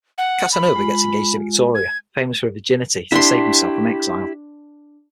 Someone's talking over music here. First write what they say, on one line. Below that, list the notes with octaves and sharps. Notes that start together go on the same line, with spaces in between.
Casanova gets engaged to Victoria, famous for her virginity, to save himself from exile.
F#5
B5
G#3 F4
G#6
D4 E4 G4 C6